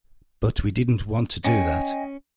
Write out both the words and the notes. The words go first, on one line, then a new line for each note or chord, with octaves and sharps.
But we didn't want to do that.
C#4 D#5 G5 G#5